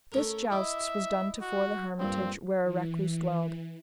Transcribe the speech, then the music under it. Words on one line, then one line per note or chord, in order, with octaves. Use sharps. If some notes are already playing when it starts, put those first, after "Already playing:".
This jousts was done to-fore the hermitage where a recluse dwelled.
A3 C#4 A#4
E4 D#5 E5 D6
F#4
G2 A#2 C4
E3